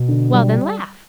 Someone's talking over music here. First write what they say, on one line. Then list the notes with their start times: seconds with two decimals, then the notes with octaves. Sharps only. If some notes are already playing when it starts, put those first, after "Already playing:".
"Well, then, laugh."
Already playing: B2
0.08 D3
0.32 G3